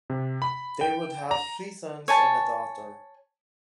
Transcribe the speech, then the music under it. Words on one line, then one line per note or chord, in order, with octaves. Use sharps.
They would have three sons and a daughter.
C3
B5
G5
A#5
C#5 G#5 A5